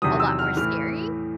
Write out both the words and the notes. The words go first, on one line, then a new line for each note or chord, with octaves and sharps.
a lot more scary.
E2 C3 D#3 F#3 D#6
E6
F6
A2 E3 F6